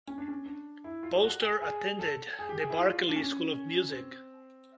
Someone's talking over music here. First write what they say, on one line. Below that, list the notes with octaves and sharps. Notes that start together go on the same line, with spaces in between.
Poster attended the Berklee School of Music.
C#4
D4
C#4
D4
E4
F4
G4
F#4
G#4
G#4
A4
G#4
G4
G#4
E4
F4
D4
C#4
C4